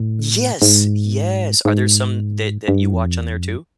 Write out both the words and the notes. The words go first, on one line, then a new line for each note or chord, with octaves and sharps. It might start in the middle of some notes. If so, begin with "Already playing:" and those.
Yes! Yes. Are there some that that you watch on there too?
Already playing: A2
G#2
G#2
G2
F2
E2
F2
F#2